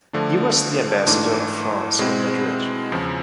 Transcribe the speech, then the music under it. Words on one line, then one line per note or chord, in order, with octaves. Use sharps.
He was the Ambassador of France in Madrid.
D3 F3 A3 D4
G#2 E3 A3 D4
B2 G#3 C4 E4
E2 C#3 F3